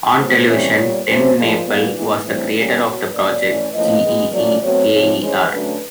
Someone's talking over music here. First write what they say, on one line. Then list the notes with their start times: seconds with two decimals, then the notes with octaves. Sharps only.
On television, TenNapel was the creator of the Project G.e.e.K.e.R.
0.17 B2 F#3 A3 C5
0.47 C3 E3 G3 A#3 C#4 C#5
0.77 A#2 G3 B3
1.07 C#3 F#3 A3 C#4 C5
1.36 A#2 F3 G#3
1.66 A#2 G3 B3
1.95 E3 G#3 B3
2.25 A2 E3 G3 C4
2.55 D#3 G3 A#3 C#4
2.84 B2 F#3 B3
3.14 C#3 F#3 A#3 C#4 D5
3.44 E3 A3 C#4
3.74 A2 F3 A#3 C#4 D#5
4.04 B2 G#3 B3
4.33 A#2 F#3 A3 C#4 D5
4.63 B2 F#3 A3 C4 C#5
4.92 C3 F3 G#3
5.22 E3 G#3 C#4 C5
5.52 D3 F#3 A3 C#4 B4